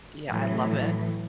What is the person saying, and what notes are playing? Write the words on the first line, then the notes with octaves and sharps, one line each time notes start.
Yeah, I love it.
A2 E3 F#3